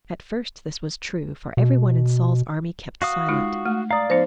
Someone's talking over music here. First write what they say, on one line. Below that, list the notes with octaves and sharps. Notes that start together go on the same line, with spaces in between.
At first, this was true, for every one in Saul's army kept silent.
B2
F#4 F5 D#6
G#3 D#4 F4
A3
D5 F5 A#5 D#6
F3 B3 D#4 C5